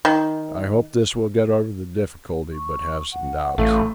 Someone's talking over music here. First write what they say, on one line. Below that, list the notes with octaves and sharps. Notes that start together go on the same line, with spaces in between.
I hope this will get over the difficulty, but have some doubt.
D#3
C#6
F#5
A1 A3 F5